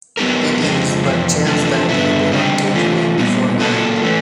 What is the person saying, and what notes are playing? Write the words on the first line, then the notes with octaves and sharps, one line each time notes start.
It is but chance that you do not get rain before night.
F#3 B3 D#4 G4 A#4
F2 C#3 G#3 C4
F2 C3 E3
F2 C3 E3 A3 D4
G2 D3 F#3 B3 E4
D3 G3 C4 D#4 G4
E3 A3 C#4 F4
A#2 G3 B3 D#4
F#3 A#3 C#4 F#4 A4
E3 A3 C#4